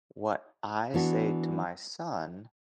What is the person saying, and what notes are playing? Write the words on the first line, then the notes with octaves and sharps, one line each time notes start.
What I say to my son
E3 B3 D4 F#4